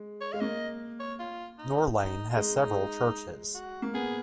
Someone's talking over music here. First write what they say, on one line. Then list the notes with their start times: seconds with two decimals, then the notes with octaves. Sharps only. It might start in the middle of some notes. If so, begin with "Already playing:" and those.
Norlane has several churches.
Already playing: G#3
0.21 C#5
0.33 G#3 F5
0.40 A#3 D#5
1.00 C#5
1.19 F4
1.58 D#4
1.98 D#4
2.30 F4
2.37 G#3 D#4
2.56 D#4
3.54 F#4
3.82 A#3
3.94 B3 G#4